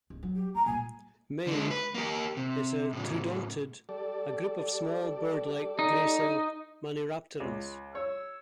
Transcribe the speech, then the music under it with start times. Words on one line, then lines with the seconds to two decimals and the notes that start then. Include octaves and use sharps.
"Mei" is a troodontid, a group of small, bird-like, gracile maniraptorans.
0.10 D1
0.23 F#3
0.36 G4
0.55 A3 A#5
0.66 A#2 G3 G#5
1.47 D3 G#3
1.71 B4
1.95 A#3 G4
2.37 C3
2.93 A2 C#3
3.89 G3 A4 D5
5.79 D#4
7.40 C#2
7.95 C#5 E6